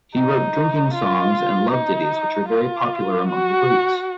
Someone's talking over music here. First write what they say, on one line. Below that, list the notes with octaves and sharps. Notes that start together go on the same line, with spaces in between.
He wrote drinking songs and love ditties which are very popular among the Greeks.
D#4
F4
D#4
F4
F#4